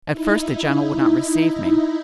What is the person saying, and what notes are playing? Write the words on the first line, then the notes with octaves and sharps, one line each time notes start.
"At first the general would not receive me."
D#4 E4